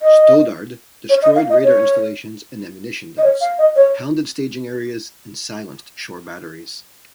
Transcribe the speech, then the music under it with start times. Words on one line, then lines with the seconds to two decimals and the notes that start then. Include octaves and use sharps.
"Stoddard" destroyed radar installations and ammunition dumps, pounded staging areas, and silenced shore batteries.
0.02 D#5
1.09 C#5
1.22 D#5
1.36 F5
1.50 D#5
1.63 C#5
3.18 D#5
3.24 C#5
3.41 F5
3.59 D#5
3.76 C#5